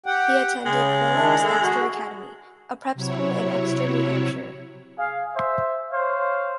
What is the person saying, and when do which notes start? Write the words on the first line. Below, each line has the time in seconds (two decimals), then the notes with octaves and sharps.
He attended Phillips Exeter Academy, a prep school in Exeter, New Hampshire.
0.06 G4 F#5 G5
0.66 C#3 G#3
1.14 D#3 D4 E4
1.44 G#4 A4
1.62 F#4 G#4
2.94 C3 F#3 E4 C#5
4.98 G#4 F5
5.35 C5 E5
5.93 C5 C#5 F5